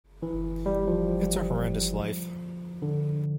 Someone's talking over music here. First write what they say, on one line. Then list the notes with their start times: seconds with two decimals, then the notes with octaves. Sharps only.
It's a horrendous life.
0.22 E3
0.66 G3
0.87 F3
2.82 D3